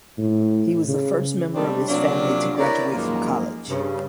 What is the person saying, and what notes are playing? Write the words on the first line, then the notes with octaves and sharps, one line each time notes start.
He was the first member of his family to graduate from college.
A2
C#3
C3 F#3 G3 A3 C4 D4
C3 F3 F#3 A#3 C#4 D4
E4 G4 A#4 B4 C#5 D5
F#2 D#3 F3 G#3 A#3
G2 C#3